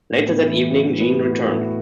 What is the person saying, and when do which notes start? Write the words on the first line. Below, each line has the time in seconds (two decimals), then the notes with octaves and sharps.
Later that evening, Jean returns.
0.11 A2
0.27 B3
0.42 E3
0.56 E3
0.71 F#4
0.86 E3
1.00 B3
1.16 A2
1.31 F#4
1.45 A2
1.61 F#4